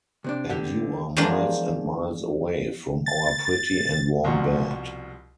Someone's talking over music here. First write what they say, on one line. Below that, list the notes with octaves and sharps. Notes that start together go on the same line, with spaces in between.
And you are miles and miles away from your pretty and warm bed.
C3 C4 D4
B1 D3 G4 A4 F#5
E2 F3 G#3 D4 G#4 A#4
A6
C2 B2 F3 G3 F#4 A#5